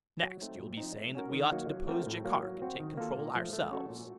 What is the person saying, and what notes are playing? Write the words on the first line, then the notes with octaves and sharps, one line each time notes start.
"Next, you'll be saying that we ought to depose Jaikark and take control ourselves."
F#3
A3 C4 D#4
A#2
F3 C4 D#4
A3
C#4 F#4 A#4
D#3
F#3 A#3 D#4 F#4
F#3
A3 C4 F#4 A#4
A2
F#3 A#3
F#3
C4 F#4
D#3
A#3 F4 A4
A#2
F3 A3
A3
C#4 F#4 A4
A#2